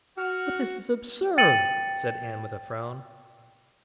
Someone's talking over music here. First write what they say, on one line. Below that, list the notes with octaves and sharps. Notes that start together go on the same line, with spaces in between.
"But this is absurd!" said Ann with a frown.
F#4 F6
G5 A6 C#7 D#7 F#7